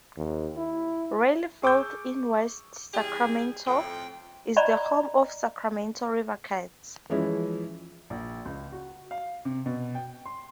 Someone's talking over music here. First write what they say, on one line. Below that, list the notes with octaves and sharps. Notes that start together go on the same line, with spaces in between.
Raley Field in West Sacramento is the home of Sacramento River Cats.
D#2
E4
G#4 C#6 D6 E6 G6
E2 G3 G#4
F2 A2 G5
D5 D#5 A#5 B5
E3 F3 G#3 C#4 E4
A#1
C#2
F#4
F5
C3
B2
G5
C6